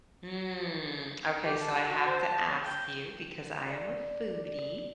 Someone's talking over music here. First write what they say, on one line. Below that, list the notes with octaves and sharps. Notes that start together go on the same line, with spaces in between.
Mm, okay, so I have to ask you because I am a foodie,
G4
A5
F#5
F#4
C5
A5
C#5
G5
D5